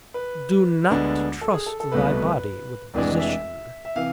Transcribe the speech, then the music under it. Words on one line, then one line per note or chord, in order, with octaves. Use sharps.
Do not trust thy body with a physician.
B4
D2 D3 G#3 B3 D4
A4
G#4
A4
A4
C2 B2 A3 B4
F1 F2 E3 G#3 D4 D5
E5
E5
C3 E3 F5